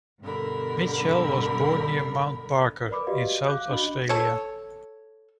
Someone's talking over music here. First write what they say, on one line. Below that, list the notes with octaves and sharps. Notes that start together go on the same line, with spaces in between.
Mitchell was born near Mount Barker in South Australia.
G2 B2 D3 A#4 B5
A#4 B4 D5 B5 D6
F#4 G4 B4 D5 D#5 F5
F5 D6 F#6 G6
D4 F#4 D#5 B5 F#7
A4 C#5